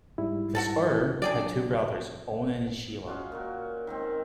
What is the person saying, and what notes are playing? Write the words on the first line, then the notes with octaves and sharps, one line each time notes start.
This Er had two brothers, Onan and Shelah.
G#2 G3 E4
F#4 A4 A5
E3
F#3 D4 G#4 D5 G5
F#3
G#3 C#4 F4 F#4
A#2 F#4 A#4
D#3 G#3 C4